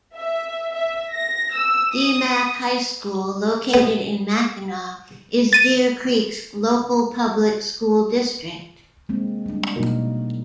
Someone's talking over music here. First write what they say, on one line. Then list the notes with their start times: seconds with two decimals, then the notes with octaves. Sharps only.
Dee-Mack High school, located in Mackinaw, is Deer Creek's local public school district.
0.16 E5
0.74 E5
1.13 A#6
1.54 E6
1.92 D#6
3.74 B3
5.53 A6 D#7
9.09 G#3 A#3 C4
9.46 G3 D4
9.76 B2 F#3 A#3 D#4 F#4 A#4